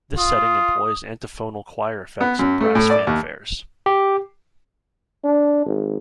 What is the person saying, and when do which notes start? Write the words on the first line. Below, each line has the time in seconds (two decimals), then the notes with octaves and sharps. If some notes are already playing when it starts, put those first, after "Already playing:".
This setting employs antiphonal choir effects and brass fanfares.
0.18 F4 D#6
2.20 B3
2.39 F#2
2.60 A3
2.75 A2
2.90 D5
3.07 D#2
3.86 G4
5.24 D4
5.66 G#1